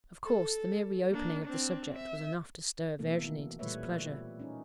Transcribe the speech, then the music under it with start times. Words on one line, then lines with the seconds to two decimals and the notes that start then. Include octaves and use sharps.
Of course, the mere reopening of the subject was enough to stir Virginie to displeasure.
0.25 A4
1.10 A#3 D4
1.45 C4 D4
1.97 E5
2.99 B2 E3 A3 A#3 A4
3.59 A#2 G3 A3 B4 C#5 E5
4.40 C#4 D#4